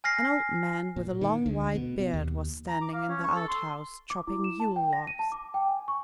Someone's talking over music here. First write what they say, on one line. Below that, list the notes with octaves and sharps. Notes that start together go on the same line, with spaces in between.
An old man with a long white beard was standing in the outhouse, chopping Yule logs.
G#5 F6 A#6 C7
A#2
D#3
D2
B2
B2
D#2
A#5
D6
F5
C#4
C#6
A4
C6
D6
E4
E7
A5
G5
A#6
D#7
A5
D6
G5
G#5
C#6